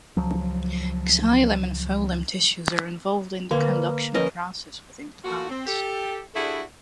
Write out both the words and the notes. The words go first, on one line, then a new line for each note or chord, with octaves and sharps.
Xylem and phloem tissues are involved in the conduction processes within plants.
C#2 F3 F#3
D3 A#3 B4
C5 D5
F3 C#4 A#4 B4 D#5
A3 A#3 F4 F#4
C4
G4 A4
G3 D4 E4 F#4 G#4 A4